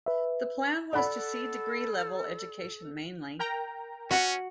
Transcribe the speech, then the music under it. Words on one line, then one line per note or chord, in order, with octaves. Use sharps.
The plan was to see degree level education mainly.
B4 E5
A4 D5 F#5 B5
A#4 G5 A#5
C#4 F#4